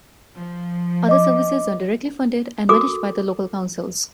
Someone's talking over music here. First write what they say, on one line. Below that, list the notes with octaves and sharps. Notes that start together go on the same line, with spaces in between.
Other services are directly funded and managed by the local councils.
F3
D#5 D6
F#4 A4 A#4 D6 D#6